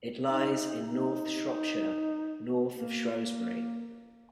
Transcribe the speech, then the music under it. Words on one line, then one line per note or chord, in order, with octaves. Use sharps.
It lies in North Shropshire, north of Shrewsbury.
D#4
D#4
A#3